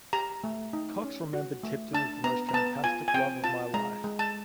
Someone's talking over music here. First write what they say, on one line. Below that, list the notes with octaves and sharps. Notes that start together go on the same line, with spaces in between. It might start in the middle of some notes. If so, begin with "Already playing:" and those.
Cox remembered Tipton as the most fantastic love of my life.
G4 A#5
A3
D#4
C#4
F#4
A3
D4 A5
B3 A#5
A#5
B3 A5
F4 G#5
G#5
C4 G5
F4 A5
G#3 A#5
G#3
A5